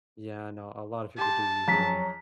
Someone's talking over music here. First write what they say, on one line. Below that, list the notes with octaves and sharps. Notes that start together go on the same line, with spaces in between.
Yeah. I know. A lotta people do use Zen.
G4 A5 C6
F2 F#3 C#4 G#4 A#5 B6